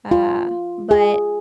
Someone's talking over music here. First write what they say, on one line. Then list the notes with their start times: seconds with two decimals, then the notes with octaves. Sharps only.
uh, but
0.11 F4
0.91 G#4